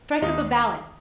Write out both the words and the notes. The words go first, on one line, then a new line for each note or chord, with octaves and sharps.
Strike up a ballad.
D#2 D#3 D#4